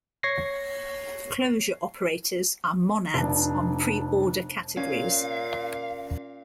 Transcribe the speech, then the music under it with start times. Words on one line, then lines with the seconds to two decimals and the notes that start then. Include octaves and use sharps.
Closure operators are monads on preorder categories.
0.23 C#5 C#6 G#6 A#6 C7
3.14 F1 D4
4.77 A#2 C#4 F5